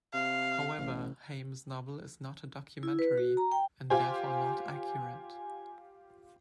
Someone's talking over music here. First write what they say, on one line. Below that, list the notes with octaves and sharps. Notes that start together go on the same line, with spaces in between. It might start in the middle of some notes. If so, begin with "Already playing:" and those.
However, Heym's novel is not a documentary and therefore not accurate.
C3 F5
A1
E4
B4
F#4
A#5
G5
F4 G4 C5 G#5